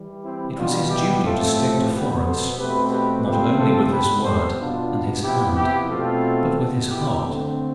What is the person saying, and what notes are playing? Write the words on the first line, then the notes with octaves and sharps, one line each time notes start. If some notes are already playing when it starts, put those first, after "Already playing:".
It was his duty to stick to Florence, not only with his word and his hand, but with his heart.
Already playing: E3 G3
C4 E4
B2 G3 B3 D4 F4
E4 G4
A2 F3 A3 C4 F4 A4
B2 B3 G4 B4
A4 C5
B2 A3 C4 G4 B4
G4 B4
C3 F3 A3 C4 G4 B4
A4 C5
C3 G3 B3 G4 B4
A4 C5
B2 B3 D4 F4
C3 F3 B3 E4 G4
E4 G4
B2 A3 C4 F4 A4
B2 B3
E4 G4
D3 A3 C4